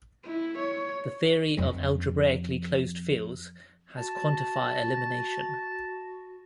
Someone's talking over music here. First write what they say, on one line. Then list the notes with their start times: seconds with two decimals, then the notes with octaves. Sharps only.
The theory of algebraically closed fields has quantifier elimination.
0.23 E4
0.58 C#5
1.57 F2 F3
3.97 F#4 A5